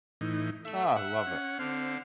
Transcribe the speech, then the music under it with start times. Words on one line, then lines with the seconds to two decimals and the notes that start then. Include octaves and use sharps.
Ah, love it.
0.21 A2 E3 D#4
0.65 A3 E5
0.96 F#5
1.27 C#4
1.59 D3 C4 F5